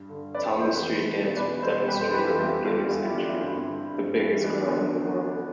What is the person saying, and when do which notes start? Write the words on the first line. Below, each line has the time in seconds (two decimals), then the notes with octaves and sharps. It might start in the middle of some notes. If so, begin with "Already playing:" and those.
Tomas Street Dancers demonstrated their Guinness entry: "the biggest grill in the world".
Already playing: G2
0.09 D3
0.34 F2 B4 D5
0.60 C3 E3 A4 C5
0.73 G4 B4
0.86 E2
1.11 B2
1.36 E2 B4 D5
1.63 B2 A4 C5
1.88 F2 G4 B4
2.01 A4 C5
2.14 E3 G4 B4
2.26 F4 A4
2.39 E2 E4 G4
2.65 D3 F4 A4
2.90 E2 F4 A4
3.03 E4 G4
3.16 D3 D4 F4
3.29 C4 E4
3.41 G2 C4 E4
3.67 D3
3.93 G2
4.18 E3
4.44 E2 B3 D4
4.70 D3